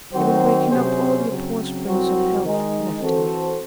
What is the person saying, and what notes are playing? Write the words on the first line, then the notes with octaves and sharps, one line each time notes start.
It will waken up all the poor springs of health left in me.
D#3 F#3 C4 F#4 C5
C3 F#3 C#4 G#4 C5
C#3 F#3 C4
C2 C3 F#3 C4 F#4
D#3 G#3 D#4
E3 C4 F#4 A4 C5